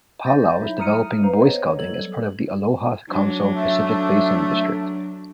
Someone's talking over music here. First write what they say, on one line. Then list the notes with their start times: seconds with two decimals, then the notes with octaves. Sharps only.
Palau is developing Boy Scouting as part of the Aloha Council Pacific Basin District.
0.24 G6 A6 A#6
0.59 F#3 D#4 E4 E5
0.79 A#5 D#6 F6 C#7 D#7
1.23 B4 C5 F5 A#5
1.40 B3 C#5 D#5
1.79 F#3 G3 A4 G#6 F#7
3.09 F#3 D4
3.54 A3